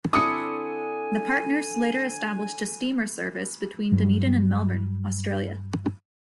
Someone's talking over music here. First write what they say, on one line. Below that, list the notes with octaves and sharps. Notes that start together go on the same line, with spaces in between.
The partners later established a steamer service between Dunedin and Melbourne, Australia.
D3 C4 D4 E4 G#5 D#6 C#7
G2 F#3